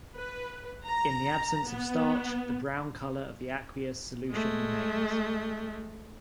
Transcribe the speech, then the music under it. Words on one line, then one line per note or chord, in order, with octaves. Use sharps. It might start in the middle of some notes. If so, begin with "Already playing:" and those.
In the absence of starch, the brown colour of the aqueous solution remains.
B4
A#5
B3
G#3 A3